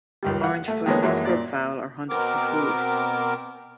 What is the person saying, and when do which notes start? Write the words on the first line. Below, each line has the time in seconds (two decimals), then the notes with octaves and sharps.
Orange-footed scrubfowl are hunted for food.
0.23 C#2 D#3 G3
0.43 F5 F#5
0.68 A3
0.86 D#3 F3 G#3 A#3 B3 C#4
1.03 F#2 E3 F#3 G#3 A#3
1.25 A#2 A#3 D5
2.09 B2 B3 C4 A#4 D6